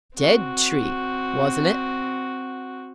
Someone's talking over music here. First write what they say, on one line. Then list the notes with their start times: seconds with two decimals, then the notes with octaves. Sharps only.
"Dead tree, wasn't it?"
0.17 C4 F#4